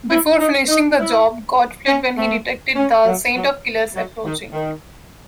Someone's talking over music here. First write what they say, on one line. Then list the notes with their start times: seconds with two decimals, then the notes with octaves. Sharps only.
Before finishing the job, God fled when He detected the Saint of Killers approaching.
0.09 E4
0.39 D#4
0.69 D#4
0.98 E4
1.86 C#4
2.16 A3
2.76 C#4
3.05 F#3
3.35 F#3
3.94 F#3
4.24 D#3
4.53 D#3